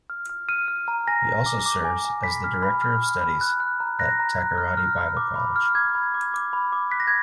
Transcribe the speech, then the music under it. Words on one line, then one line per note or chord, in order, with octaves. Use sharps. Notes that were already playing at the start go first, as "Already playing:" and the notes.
He also serves as the Director of Studies at Takoradi Bible College.
F6
F6
F6 D#7
F6
A#5
G#5 A#6
G#5
D6
D6
G#5
G#5
B5 B6
F6
B5
F6
F6
B5
F#6
F#6
A#5
F#6 A#6
A#5
F#6
F6
F6
B5
D6
B5
F6
D6 G#6
B5
D6
D6
B5
D6
F#6 B6
A#6
G#6